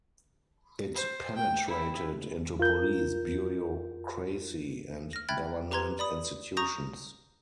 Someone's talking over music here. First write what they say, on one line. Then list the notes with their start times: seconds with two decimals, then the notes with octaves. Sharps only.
It penetrated into police, bureaucracy and government institutions.
0.95 C5
1.35 G5
1.67 E4
2.58 F2 F4 A#4 G6
5.13 F6 A#6
5.29 E5 G5 B5 F#6 G#6 A6
5.71 G4 B4 A#5 C6 G#6
5.99 D5 B5 D#6
6.57 A#5 C#6 D#6 G6 A#6